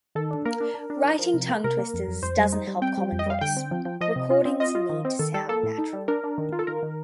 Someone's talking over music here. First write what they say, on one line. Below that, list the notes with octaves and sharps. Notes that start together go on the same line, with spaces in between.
Writing tongue twisters doesn't help Common Voice. Recordings need to sound natural.
D#3 A4
D4
A#3 A#4
D4
D4
D4
F3
F3
C3
A#3
C3 A#4
A#3
F2
F2
F2 C5
G3
D#4
G3
C4 G5
G3
F2
D#5
G3 F5
D3 G5
C4
F3
F3
F3 D#5
C3
F4
C4
F4 D#5
F4
D#3
C4
D#3 A4
G3 A4
A#3 A4
A2
D#4
G3
D4 A#4
D4
D#3
F4
A4
D#3 A#4
D#3